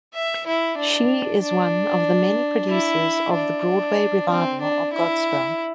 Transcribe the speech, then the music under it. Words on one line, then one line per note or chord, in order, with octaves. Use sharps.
She is one of the many producers of the Broadway revival of "Godspell".
E5
E4
D4
D4
E4
D4
C4
D4
E4